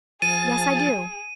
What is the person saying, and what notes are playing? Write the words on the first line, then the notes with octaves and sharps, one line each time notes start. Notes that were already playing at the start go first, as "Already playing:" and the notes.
"Yes, I do."
F3 G#4 A5 A6 D#7